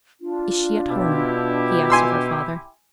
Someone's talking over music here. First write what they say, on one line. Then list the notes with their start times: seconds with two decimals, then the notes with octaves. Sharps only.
Is she at home?' he asked of her father.
0.21 D4 F4
0.88 B2 E4 G4
1.90 G#5 C6 E6